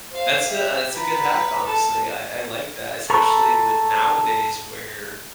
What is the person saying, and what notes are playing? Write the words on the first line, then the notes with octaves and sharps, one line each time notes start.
That's a uh, that's a good hack, honestly. I I like that, especially with nowadays where
C5 F5
G4 E5
B4 A#5
A4 A5
A4 A#5 B5 C#6